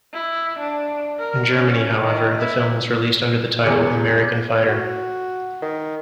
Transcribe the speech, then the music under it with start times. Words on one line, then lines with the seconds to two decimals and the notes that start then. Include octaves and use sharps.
In Germany, however, the film was released under the title "American Fighter".
0.13 E4
0.58 D4
1.19 A#4
1.54 C#4
2.01 D#3
2.40 E4
3.64 E1 E2 C3 C#7
4.68 F#4
5.62 D#3